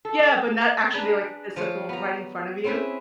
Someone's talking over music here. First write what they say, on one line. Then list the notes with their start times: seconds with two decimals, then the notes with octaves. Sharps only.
Yeah, but not actually, like, physical right in front of you?
0.05 A4
0.93 D4 G#4 B4 A#5
1.56 F3 C5 C#5
1.89 B3 A#5
2.64 C4 C#4 E4 G#4 B4